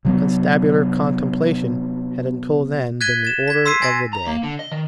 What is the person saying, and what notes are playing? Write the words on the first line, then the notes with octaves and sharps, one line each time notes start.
Constabular contemplation had until then been the order of the day.
C3 F#3 B3
F#6 G#6 A6 B6 D#7 G7
A6 E7
G#6 B6
C6 E6 B6 C7 D#7
G#5 A6 A#6 D#7
A#5
A#3
D3
D#5
D#3